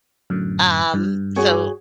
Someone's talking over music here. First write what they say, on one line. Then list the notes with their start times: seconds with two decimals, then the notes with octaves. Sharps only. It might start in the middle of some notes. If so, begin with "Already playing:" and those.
um, so
0.30 F#2 A2 D3
0.94 G2
1.36 F#4 G#4 C#5